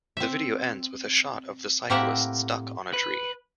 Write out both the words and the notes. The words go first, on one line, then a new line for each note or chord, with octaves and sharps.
The video ends with a shot of the cyclist stuck on a tree.
C4 E5
A2 A#3 C4 G4 E5 F#5
B4